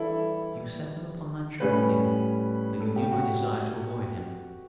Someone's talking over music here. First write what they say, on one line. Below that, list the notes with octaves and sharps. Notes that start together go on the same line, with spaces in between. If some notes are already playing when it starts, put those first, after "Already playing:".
"You set him upon my track here, though you knew I desired to avoid him."
Already playing: E3 G3 D4 E4 G4 A4
A2 G3 C#4 B4
A4
G4
F#4